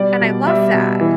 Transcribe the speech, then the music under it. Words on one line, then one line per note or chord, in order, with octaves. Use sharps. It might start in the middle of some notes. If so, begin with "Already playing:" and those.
And I love that.
Already playing: B2 G3 D5
B2
G3 E5
B2
E3